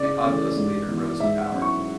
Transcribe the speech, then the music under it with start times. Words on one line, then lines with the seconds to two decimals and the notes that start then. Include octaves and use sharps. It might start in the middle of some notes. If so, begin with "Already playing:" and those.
A populist leader rose to power.
Already playing: C#3 D5
0.23 E3 A3 C#4
0.56 G#2
0.88 E3 B3
1.20 G#2 E5
1.40 F#5
1.52 F#3 C#4 E4
1.62 C#6